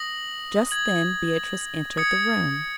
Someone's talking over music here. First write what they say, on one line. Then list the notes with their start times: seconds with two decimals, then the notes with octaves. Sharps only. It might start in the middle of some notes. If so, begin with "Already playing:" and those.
Just then Beatrice entered the room.
Already playing: D#6 A#6 F#7
0.71 G#6 F#7
1.97 D#6 G#6 C#7